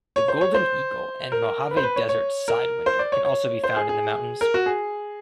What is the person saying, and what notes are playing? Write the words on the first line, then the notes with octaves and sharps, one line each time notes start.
The golden eagle and Mojave Desert sidewinder can also be found in the mountains.
C#5
C5
C#5
C5
A#4
B4
C5
B4
C#5
C#5
A#4
C5
D5
C#5
C#5
C5
G#4
G#4
A#4
F#4
G#4